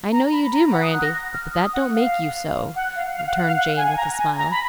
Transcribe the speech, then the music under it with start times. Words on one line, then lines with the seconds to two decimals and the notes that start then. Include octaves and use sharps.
"I know you do, Mirandy; but that don't MAKE you so," returned Jane with a smile.
0.12 A#5
0.32 B5
0.52 A#5
0.72 F#5
0.82 D#6
0.93 F#6
1.03 A#6
1.34 F6
1.54 D#6
1.73 F#5
1.94 F5
2.76 F#5
2.96 F5
3.16 F5
3.27 F#5
3.37 F#5
3.47 F5
3.57 F#5
3.77 G#5
3.92 G#5
3.97 A#5
4.17 G#5
4.38 A#5
4.51 B5